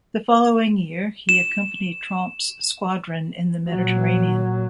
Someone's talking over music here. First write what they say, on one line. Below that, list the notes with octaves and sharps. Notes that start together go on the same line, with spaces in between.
The following year, he accompanied Tromp's squadron in the Mediterranean.
E7
A#2 F#3